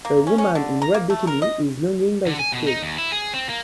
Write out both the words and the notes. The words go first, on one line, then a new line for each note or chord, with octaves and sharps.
A woman in a red bikini is lounging by the pool.
A#3
C#4
C#4
D3
A#5
A#3
A3
A#4
D#5
D3
G#5
B2
D#4
D#2
E4
G#4
C4
A#3